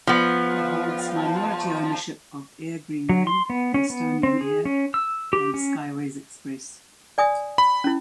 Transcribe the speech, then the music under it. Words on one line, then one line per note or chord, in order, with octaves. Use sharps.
It holds minority ownership of Air Greenland, Estonian Air, and Skyways Express.
F3 B3
F#3
C6
B3
C#4
B3
C4
G#4
C#4
E6
G4
C#4
D5 G#5 D#6
B5
C#4 E4